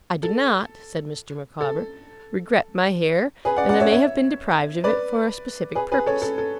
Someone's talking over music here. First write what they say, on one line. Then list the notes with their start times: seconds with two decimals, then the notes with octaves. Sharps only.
I do not,' said Mr. Micawber, 'regret my hair, and I may have been deprived of it for a specific purpose.
0.23 A4
1.61 A4
3.45 G#4 B4
3.57 D5 F#5
3.69 D5 F#5
3.80 C#5 E5
3.92 C#5 E5
4.84 B4 D5
5.75 G#4 B4
5.92 G#4 B4
6.06 A4 C#5
6.22 A4
6.38 A4